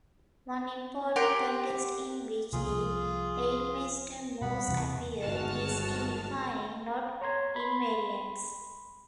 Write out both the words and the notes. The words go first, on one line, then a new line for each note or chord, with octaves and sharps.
One important context in which the Reidemeister moves appear is in defining knot invariants.
G4 A#4 F#5 C6
C2 F3 A#3 F4 G#4
B2 G3 B3 F#5 B5
E2 C3 E3
G1 D#2 G#3 F#4 A5 F6
C#5 A#5 C6 G#6
B5 C6